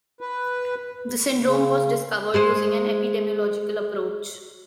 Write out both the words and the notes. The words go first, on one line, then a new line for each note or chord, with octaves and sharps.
The syndrome was discovered using an epidemiological approach.
B4
C#3
G#3 G#4 C5